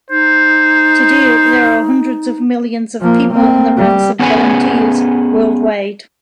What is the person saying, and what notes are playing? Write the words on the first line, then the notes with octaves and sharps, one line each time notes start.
Today, there are hundreds of millions of people in the ranks of volunteers worldwide.
D#4 C5
F3 A#3
A#3 C4
G3
B3 C#4 G#4 B4 F#5 G#5